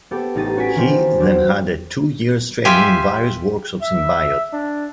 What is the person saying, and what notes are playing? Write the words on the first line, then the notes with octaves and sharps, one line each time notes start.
He then had a two-years training in various workshops in Biot.
B3 G4 A4
A1 D#4 A6 D#7
C#4 F#4 G#5 B6 D7
D#3 E3 C4 F#4
F#3 C4 D4
F4 G4 E5 G#5
E5
D4